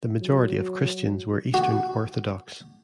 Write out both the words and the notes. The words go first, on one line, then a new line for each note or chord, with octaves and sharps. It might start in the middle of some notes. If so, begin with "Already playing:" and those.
The majority of Christians were Eastern Orthodox.
F#3
F#4